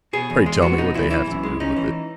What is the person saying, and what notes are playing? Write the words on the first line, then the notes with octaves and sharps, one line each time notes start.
Pray tell me what they have to do with it?
B2 G#4
E2
G#3
B3 F#4
B2 D#4
E2 E4
E3 E4
F#2
G#3
C#4 D#4
E3